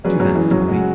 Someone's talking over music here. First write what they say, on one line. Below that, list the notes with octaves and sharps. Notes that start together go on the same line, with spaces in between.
Do that for me.
F#3 G#3 C#4 G#4 B4 D5
F#3
E3
F#3
C#3 G#3 C#4 F#4